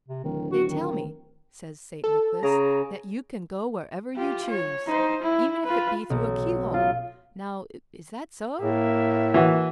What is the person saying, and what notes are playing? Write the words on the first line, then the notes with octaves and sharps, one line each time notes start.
"They tell me," says St. Nicholas, "that you can go wherever you choose, even if it be through a key-hole; now, is that so?"
C3
D1 D#3
F#4
D#3
A4
C#3 A#5
F4 G4
C#5
D#4 C5
E4
F4 B4
B1
F4
A2 A#3 E5
E3 F#4